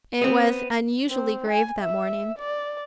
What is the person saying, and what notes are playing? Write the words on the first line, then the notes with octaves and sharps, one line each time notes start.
It was unusually grave that morning.
B3 C4
C4
G#5
E5
D5